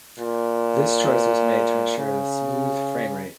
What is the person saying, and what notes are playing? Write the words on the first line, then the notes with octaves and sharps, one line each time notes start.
This choice was made to ensure a smooth frame rate.
A#2
C#3